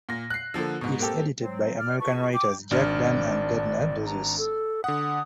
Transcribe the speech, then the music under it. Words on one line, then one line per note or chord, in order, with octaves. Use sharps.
It is edited by American writers Jack Dann and Gardner Dozois.
A#2 A#6
F#6 C7
D3 F3 A#3 A4
G#2 B2
A#3 C4 G4 A4
F#3 C4
D5 F6
F4 G#4 B4 A5 C#6
G5 D6
G#1 D4 D5 F6
A#5
A4
D3 F#5 D#6